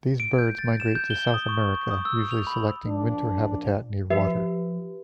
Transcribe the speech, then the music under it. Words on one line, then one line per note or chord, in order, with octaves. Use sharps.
These birds migrate to South America, usually selecting winter habitat near water.
D7
G6
A6
E7
G6
G7
D#6
C#6
D#6
E6
F7
B5
A#2 F3 D4
F3 G4 B4 E5